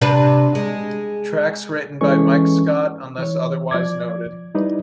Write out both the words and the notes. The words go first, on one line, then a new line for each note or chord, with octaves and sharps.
Tracks written by Mike Scott, unless otherwise noted.
C3 D4 B4
G#3
E3 G#3 C#4 A4 C#6
E3 C#5
F3 D5 D6 G#6
G3 D#4 E4 B4 D5